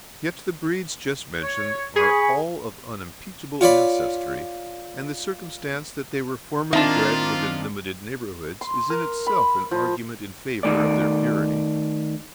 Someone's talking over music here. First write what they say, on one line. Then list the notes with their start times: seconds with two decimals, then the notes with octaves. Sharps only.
Yet the breeds just mentioned are all of unimpeachable ancestry, and the circumstance that they were formerly bred within limited neighbourhoods is in itself an argument in favour of their purity.
1.42 C#5
1.96 G#4 B5 C#6
3.61 F4 C#5 D5 B5
6.73 D#3 F3 A#3 C4 D4 F4 E5 A5
8.61 C6
8.90 A#4
9.27 B5
9.71 F3
10.63 D#3 A3 D5